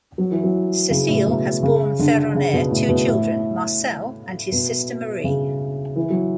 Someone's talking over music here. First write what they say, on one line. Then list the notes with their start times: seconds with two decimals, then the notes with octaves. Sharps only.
Cecile has borne Ferronaire two children, Marcel and his sister Marie.
0.18 F#3
0.31 E3
0.44 F#3
0.90 C#3
1.08 A2
1.27 B2
1.63 C#3
1.99 D3
2.35 C#3
2.53 B2
2.71 A2
2.89 B2
3.07 A2
4.52 B2
5.24 C#3
5.96 E3
6.10 F#3